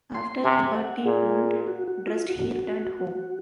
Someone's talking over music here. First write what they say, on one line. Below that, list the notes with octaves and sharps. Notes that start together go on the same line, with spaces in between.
After he had the wound dressed he returned home.
C6
C3 G#5
F#5
A#2 G#4
F#4
F#4
F4
F#4